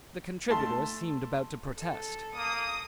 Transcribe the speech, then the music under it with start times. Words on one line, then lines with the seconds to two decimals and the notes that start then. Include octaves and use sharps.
The contributor seemed about to protest.
0.50 A3 A5 C6
1.77 A4
2.36 A#3 D#6